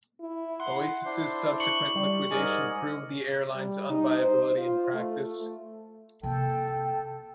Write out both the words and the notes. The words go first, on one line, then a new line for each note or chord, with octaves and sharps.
Oasis's subsequent liquidation proved the airline's unviability in practice.
E4
F#5 C6
D4 E4 C5
C#6 C#7 F#7
G3
G#2 A#4 D5 D#5 G#5
G3
D#4
C5
F4
A3
C3 A#3 A4 G5